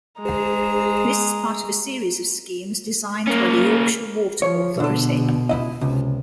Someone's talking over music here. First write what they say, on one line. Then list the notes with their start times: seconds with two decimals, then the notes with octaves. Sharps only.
This is part of a series of schemes designed by the Yorkshire Water Authority.
0.20 G#3 A#5
3.27 A#3 C#4
4.42 F3 C#5
4.80 B2 D3 A4
5.49 C#2 E4 D#5
5.81 C#2 C3